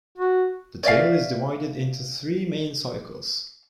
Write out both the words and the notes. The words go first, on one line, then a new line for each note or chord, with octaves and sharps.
The tale is divided into three main cycles.
F#4
C#5 D5 E5 F5